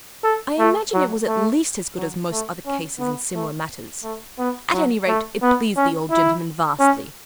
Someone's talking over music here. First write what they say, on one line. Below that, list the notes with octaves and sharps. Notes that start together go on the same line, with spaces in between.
I imagine it was at least as good as most other cases in similar matters: at any rate, it pleased the old gentleman vastly.
A4
A3
F#3
A3
F#3
A3
C#4
B3
A3
A3
B3
F#3
A3
B3
C#4
E4
C#4